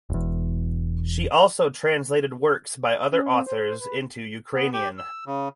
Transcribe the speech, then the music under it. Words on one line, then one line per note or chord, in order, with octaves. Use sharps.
She also translated works by other authors into Ukrainian.
E1 E2
C#4
C4
C5
C5
B4
B3
G4
E6
C#3